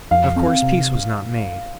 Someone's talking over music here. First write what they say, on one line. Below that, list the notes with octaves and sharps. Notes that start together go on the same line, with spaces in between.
Of course peace was not made.
F2 F5
C4
C3